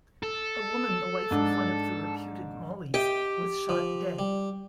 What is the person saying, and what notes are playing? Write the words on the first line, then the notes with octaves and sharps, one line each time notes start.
A woman, the wife of one of the reputed Mollies, was shot dead.
A4
G#2 D4
G4 D#5 G5
F3
G3